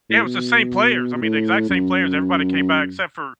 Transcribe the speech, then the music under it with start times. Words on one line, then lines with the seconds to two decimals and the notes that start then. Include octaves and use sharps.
Yeah, it was the same players. I mean, the exact same players, everybody came back except for
0.10 A2
0.25 B2
1.15 B2
1.22 A2
1.69 F#2